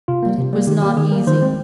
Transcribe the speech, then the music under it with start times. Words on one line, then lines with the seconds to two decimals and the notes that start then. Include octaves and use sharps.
But it was not easy.
0.08 C3 F4
0.23 G3 A#3
0.38 C3
0.53 G3 A#3
0.67 D#3 G4
0.82 G3 A#3 G4
0.97 D#3 G#4
1.12 G3 A#3 A#4
1.27 D#3 C5
1.41 G#3 C4